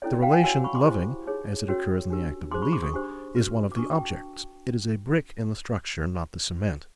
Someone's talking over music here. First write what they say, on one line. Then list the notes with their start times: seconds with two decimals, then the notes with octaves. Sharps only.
The relation 'loving', as it occurs in the act of believing, is one of the objects--it is a brick in the structure, not the cement.
0.02 C#4 E4 A4 C#5 D5
0.12 D5
0.22 F5 G5
0.33 F#5 G#5
0.44 F#4 A#4 C#5 F#5 G#5
0.64 B5 C#6
0.75 C6 D6
0.85 E4 G4 C5
1.27 D#4 G#4 C#5
1.68 C#4 F#4 A#4 C#5
2.10 D4 G4 A#4
2.51 D#4 G#4 C5 C6 D6
2.62 B5 C#6
2.72 C6 D6
2.82 C#6 D#6
2.94 D4 G4 C5
3.35 F#4 B4
3.72 D6
3.76 D4 F#4 B4 C#6 D#6
3.91 G5 A5